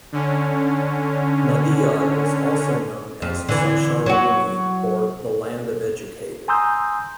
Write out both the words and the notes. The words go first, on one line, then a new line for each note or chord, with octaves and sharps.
Nadiad was also known as 'Sakshar Bhumi', or The land of educated.
D3 C#4
F2
D3 E3
F#3 F#4
G#5 A#5 C6 D#6 E6 G6